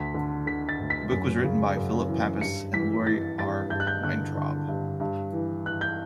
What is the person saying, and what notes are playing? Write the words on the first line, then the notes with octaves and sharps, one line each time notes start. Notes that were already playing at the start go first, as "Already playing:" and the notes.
The book was written by Phillip Papas and Lori R. Weintrob.
Already playing: D2 B6
D3
D3 B6
A6
D2
B6
F#2
C#3
F#2
E3
G2 C#7
E3 B6
E3 A6
G2 A6
G2 G6
F#6
G6
D3 F#6
D3
G2
G2
E3
E3 F#6
G6